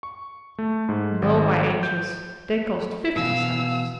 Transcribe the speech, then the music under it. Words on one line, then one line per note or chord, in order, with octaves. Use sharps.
"No, my angels; they cost fifty cents."
C#6
A3
G#2
G#1
G6
B2 E3 B3 F5 E6